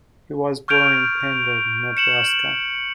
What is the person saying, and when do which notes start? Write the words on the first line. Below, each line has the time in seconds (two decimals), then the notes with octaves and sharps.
He was born in Pender, Nebraska.
0.68 C#6 F6 G6 G#6 D7 F7
1.97 C#7 E7 F#7